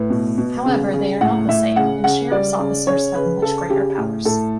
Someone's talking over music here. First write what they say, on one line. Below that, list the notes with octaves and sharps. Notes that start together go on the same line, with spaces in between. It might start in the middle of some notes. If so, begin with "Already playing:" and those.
However, they are not the same, and sheriff's officers have much greater powers.
Already playing: A2 B4
B2
B2
C#3
C#3
A2 F#5
A2 E5
C#3 F#5
C#3 F#5
G3 D5
C#3
C#3 C#5
C#3 B4
C#3 A4
C#3 G4
A2
A2 A4